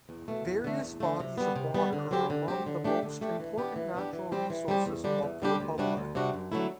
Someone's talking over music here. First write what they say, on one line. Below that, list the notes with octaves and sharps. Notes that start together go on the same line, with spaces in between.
Various bodies of water are among the most important natural resources of the Republic.
E2
B2 A3
E2
D3 A3
E2
D3 A3
C3
G3 B3
C3
G3 B3
D3
F#3 C4 G4
D3
F#3 C4 G4
D3
A3 D4 G4
D3
A3 D4 G4
E3
B3 D4 G4
E3
B3 D4 G4
E3
G3 C4 G4
E3
G3 C4 G4
E2
D3 G3 D4 G4
E2
D3 G3 D4 G4
D2
C3 G3 D4 F#4
D2
C3 G3 D4 F#4
F#2
D3 F#3 A3 E4